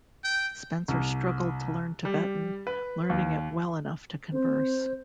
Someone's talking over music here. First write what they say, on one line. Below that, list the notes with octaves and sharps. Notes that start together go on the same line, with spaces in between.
Spencer struggled to learn Tibetan, learning it well enough to converse.
G5
C2
G3
B4
D#2
C4 C5